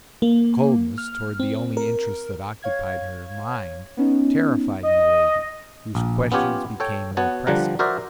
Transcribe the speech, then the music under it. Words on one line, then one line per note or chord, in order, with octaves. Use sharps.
This coldness toward the only interests that occupied her mind terrified Milady, whose questions became more pressing.
A#3
F6
C4
A#4
C#5 F5 G#6
B3 C#4 D#4
D#5
A#1
B3 C#4 F4 G4 C#5
A4 C#5 G5
B3 F#4 C#5 A5
D3 F3 G3 F#5 A#5
F#4 A#4 C5 D5 E5